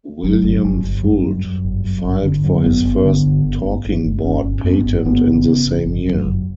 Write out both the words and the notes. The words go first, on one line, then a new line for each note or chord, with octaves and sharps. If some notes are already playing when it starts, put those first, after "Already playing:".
William Fuld filed for his first talking board patent in the same year.
G1 F#3
G1
G1
G1
F#2 G3
F#2
F#2
G1
F#2
G1
D3
F#2
G1 B3
G1
D3
G1
G1
G1
G1
G1
G1 C#4
G1
F#2 B3
G1
G1 B3
C#3
C#3
G1
G1
F#2
G1